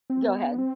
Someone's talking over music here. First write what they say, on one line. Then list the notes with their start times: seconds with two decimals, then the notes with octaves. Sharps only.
Go ahead.
0.10 C4
0.27 B3
0.58 C4